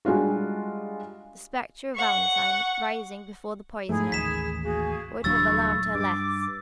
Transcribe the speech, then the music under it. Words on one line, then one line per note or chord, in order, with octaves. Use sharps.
The spectre of Valentine rising before the poisoner would have alarmed her less.
G3 G#3 D4 F4 F#4
F#5 C#6
G#2 F3 A3 D#4 E4 G#4
A1 D#2 B6 E7
A#3 F#4 G#4
D#1 C#3 F#3 D4 E4 C#6 E6 A6
G2 D6